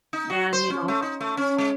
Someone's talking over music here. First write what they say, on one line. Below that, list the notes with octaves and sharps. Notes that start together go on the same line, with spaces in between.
And, you know,
D#4
F#4
C5
C#4
A3
D#4
A3
C#4
G#3